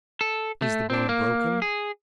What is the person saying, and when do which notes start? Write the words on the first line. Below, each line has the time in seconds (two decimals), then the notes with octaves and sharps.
Is the bone broken?'
0.21 A4
0.62 A3
0.90 C4 D4
1.09 A#3
1.62 G#4